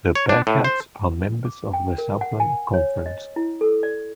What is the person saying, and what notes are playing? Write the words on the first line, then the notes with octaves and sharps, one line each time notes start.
The Bearkats are members of the Southland Conference.
C#5
D4
A2
C5
D6
G5
A#4
F#5
G#5
C#5
D#5
E4
A4
D5